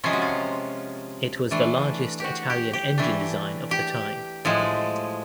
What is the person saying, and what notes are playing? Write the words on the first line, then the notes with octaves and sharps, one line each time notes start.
It was the largest Italian engine design of the time.
C3 F3 G#3 C#4 F4
F#4
F4
E3 A3 D4
F#4 G4
G4
G4
E3 A3 D4
G4
A2 F3 G#3